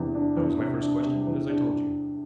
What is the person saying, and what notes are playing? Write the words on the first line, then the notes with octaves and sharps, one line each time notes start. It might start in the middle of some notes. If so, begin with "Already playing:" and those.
That was my first question, as I told you.
Already playing: E2 C3 D4
D4
E2
C3
D4
C3
E2
D4